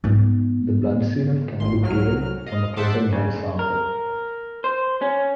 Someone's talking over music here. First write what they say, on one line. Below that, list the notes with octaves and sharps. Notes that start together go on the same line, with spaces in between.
The blood serum can be gained from a clotted blood sample.
G#2 B3
G#1 C6
C2 F#3 F6
D#5 F5
C5 E5 F#5 A5 C6 D6
C#3
A#4
C5
C#4